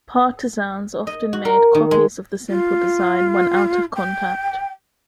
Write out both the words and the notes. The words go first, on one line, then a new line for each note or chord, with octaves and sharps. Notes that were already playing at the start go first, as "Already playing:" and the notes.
Partizans often made copies of the simple design when out of contact.
D#5
F#4
A#4
D#3
G#3
F4
G5